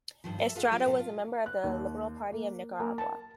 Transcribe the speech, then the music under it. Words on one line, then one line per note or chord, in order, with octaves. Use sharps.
Estrada was a member of the Liberal Party of Nicaragua.
G2 D#3 F3
A4 E5
F4 G#4 A4 B4 F5 F#5
C#4 F4 G4 A#4 D5
A#2 A4 C5
F4
F#6
D#2
A#3
A#3
A5